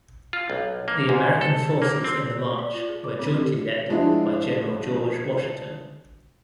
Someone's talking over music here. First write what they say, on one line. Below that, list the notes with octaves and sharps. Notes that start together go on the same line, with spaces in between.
The American forces in the march were jointly led by General George Washington.
F4
B1
A#3
G#2
A4
A#3
C4
C#6
D5
F4
G#4
D6
C4
G4
F3 G#3 D4 E4 F#4